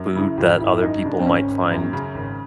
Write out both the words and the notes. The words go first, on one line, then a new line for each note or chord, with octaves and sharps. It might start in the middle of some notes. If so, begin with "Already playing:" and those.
food that other people might find
Already playing: F#2
C#3 E4
G#1 F4
G#1 E4
F#2 D#4
C#3 D4
C4
G#1 C#4
G#1
F#2
C#3
G#1